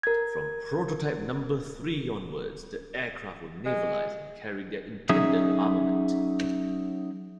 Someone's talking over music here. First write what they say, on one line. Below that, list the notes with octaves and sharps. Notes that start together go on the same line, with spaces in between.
From prototype number three onwards, the aircraft were navalised and carried their intended armament.
A#4 G#6
G#3
F#3 C#4 D#4 G#4 E5